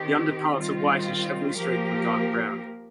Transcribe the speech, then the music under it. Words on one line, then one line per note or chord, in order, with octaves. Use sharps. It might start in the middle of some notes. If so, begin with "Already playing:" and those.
The underparts are whitish, heavily streaked with dark brown.
Already playing: D#3 C4 G4
D#3 G3 C4 F4
F3 A#3 G4 A#4